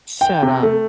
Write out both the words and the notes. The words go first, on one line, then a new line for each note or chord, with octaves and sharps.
Shut up.
G5
C3
A3